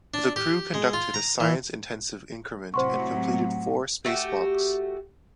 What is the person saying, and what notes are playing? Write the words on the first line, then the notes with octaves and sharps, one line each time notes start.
The crew conducted a science-intensive increment and completed four spacewalks.
D4
G4
G#3
F4
A#5
E3
A2 C3 F#3 C5 F#5 C6 C#6
A3 F#4 G4